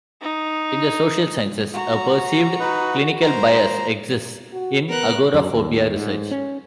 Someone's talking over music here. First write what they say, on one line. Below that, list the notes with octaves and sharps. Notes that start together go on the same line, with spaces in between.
In the social sciences, a perceived clinical bias exists in agoraphobia research.
D#4
F#4 A#5
D#4 B4
A#4 C5 A#5
F#4
B3 A#4 F#6
F#2
D#2
G#2
C#4